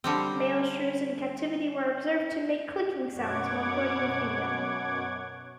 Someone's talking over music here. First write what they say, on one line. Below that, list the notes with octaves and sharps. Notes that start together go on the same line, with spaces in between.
Male shrews in captivity were observed to make clicking sounds while courting a female.
D3 G3 C4
F#2 B2 C#5 F#5 D6 G#6